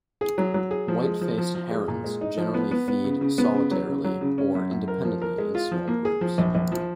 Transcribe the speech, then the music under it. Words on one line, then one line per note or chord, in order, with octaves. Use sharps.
White-faced herons generally feed solitarily or independently in small groups.
G#4
F#3
F#3
G#4
F3
G#3
F3
F3
F3
G#3
A#2
G#3
D#4
F3
B3
B3
B3
C#3
C#3
B3
C#3
F#3
C#3
F#3
C#3
C#4
F#2
F#2
A#4
F3
A#4
G#3
F4
F3
A#3
G#4
F3
A#1
A#1
F3